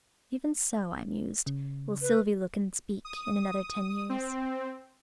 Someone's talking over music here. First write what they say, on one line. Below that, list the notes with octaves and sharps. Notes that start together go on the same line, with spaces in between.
"Even so," I mused, "will Sylvie look and speak, in another ten years."
C#3
B4
D#6
C4